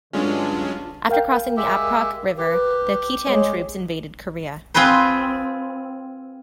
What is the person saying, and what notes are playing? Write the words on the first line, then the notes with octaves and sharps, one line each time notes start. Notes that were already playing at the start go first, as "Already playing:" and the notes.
After crossing the Aprok River, the Khitan troops invaded Korea.
G2 D3 F#3 G#3 C#4 D4 F4 D5
A#4 F5 G5
G#3 G4 E5
G4 B4
G#3 C#5
C4 F4 G#4 B4 C5